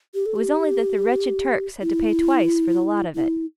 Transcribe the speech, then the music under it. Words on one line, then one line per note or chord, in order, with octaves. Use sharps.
It was only that the wretched Turks had to pay twice for the lot of it.
G4
A4
G4
E4
E4